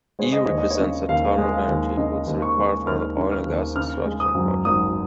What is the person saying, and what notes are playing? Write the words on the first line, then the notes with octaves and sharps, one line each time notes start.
E represents external energy inputs required for an oil and gas extraction project.
G#3 C#5
D#5
D#2 C#5
D#5
C#5
C#3
D#2 F5
G#3
F5
D#2
C#3 D#5
D#2
C#6
G#3
D#2 F6
C#3
F6
D#2
C#3 F6
G#3
D#6
F#2
G#1 D#6